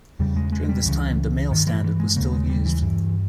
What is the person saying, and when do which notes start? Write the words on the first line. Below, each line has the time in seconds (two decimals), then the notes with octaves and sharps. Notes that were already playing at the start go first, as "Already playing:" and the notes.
During this time, the mail standard was still used.
0.19 E2 C#3 G3
0.36 G#3
0.52 G#3
0.69 G3
0.85 C#2 C#3 E3
1.51 G2 D#3
1.67 E3
1.84 E3
2.00 G#3
2.16 D#2 C#3 A#3
2.33 G#3
2.46 E3
2.50 G3
2.66 E3
2.82 G2 E3